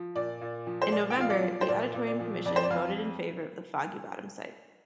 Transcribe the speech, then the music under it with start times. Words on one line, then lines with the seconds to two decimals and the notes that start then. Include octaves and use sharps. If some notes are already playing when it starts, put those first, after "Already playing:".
In November, the Auditorium Commission voted in favor of the Foggy Bottom site.
Already playing: F3
0.16 A#2 D5
0.41 A#2
0.67 F3
0.82 C5
0.92 A#2 D5
1.10 G5
1.18 F3 F5
1.30 D5
1.43 F3
1.61 C5
1.68 A#2 D5
1.94 A#2
2.07 D5
2.20 F3
2.45 F2 D5
2.56 C5
2.63 D5
2.70 F2 F5